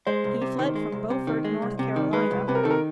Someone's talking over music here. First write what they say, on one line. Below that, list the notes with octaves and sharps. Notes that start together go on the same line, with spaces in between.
He fled from Beaufort, North Carolina.
G#3 C5
C2
C3
D#3
G#3
C2
C3
D#3
G#3
C2
C3
D#3
G#3 B4
C2
C3 B4
A#4
D#3 A4
A#4